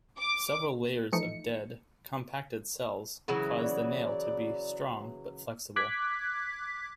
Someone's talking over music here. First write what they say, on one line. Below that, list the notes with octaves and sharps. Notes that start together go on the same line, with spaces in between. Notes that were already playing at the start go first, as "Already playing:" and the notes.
Several layers of dead, compacted cells cause the nail to be strong but flexible.
D6
E3 F3 A3 D#4 C#7
C#3 E3 F#3
D5
D6 F#6 G#6 B6